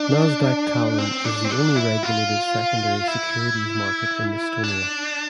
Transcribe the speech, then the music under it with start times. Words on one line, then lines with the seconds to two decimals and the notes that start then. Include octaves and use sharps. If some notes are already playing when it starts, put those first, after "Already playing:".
Nasdaq Tallinn is the only regulated secondary securities market in Estonia.
Already playing: D4
0.98 C4
1.25 D4
1.45 C4
1.51 D4
1.76 E4
2.03 F4
3.08 E4
4.64 D4